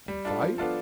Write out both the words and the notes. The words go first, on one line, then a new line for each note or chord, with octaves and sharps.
"And fight?"
G3
D4 F4 A4
F3
B3 D4 F4 A4